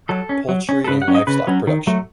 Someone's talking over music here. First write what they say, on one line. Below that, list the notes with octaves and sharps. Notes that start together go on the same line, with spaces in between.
Poultry and Livestock Production.
F#3 A4
C#4
F#3
C#4
A4
C#3 B4
F#5
F#3 C#4
D#5
C#3 B4
F#3 C#4
D#3
F#3 A3